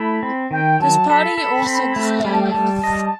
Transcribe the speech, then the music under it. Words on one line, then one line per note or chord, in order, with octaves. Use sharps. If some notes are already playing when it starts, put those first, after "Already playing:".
This party also disbanded.
Already playing: A3 E4 B5
C4
D#3 G5
F#3 A5
A4 B5
A4
C4
A3
G3 B5
A5
G5
A5
G3
D#5